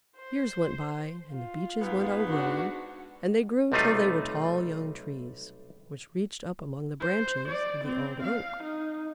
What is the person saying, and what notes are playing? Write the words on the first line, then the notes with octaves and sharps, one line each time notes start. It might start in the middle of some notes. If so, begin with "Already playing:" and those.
Years went by, and the Beeches went on growing, and they grew till they were tall young Trees, which reached up among the branches of the Old Oak.
C5
F4
G#2 B3
D4 F#4
B1 C3 G3 A3 D#4 F4
C5
D5
C4
F5
D#4